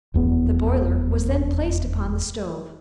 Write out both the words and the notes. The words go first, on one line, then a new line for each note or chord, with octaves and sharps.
The boiler was then placed upon the stove.
F1 E2 B3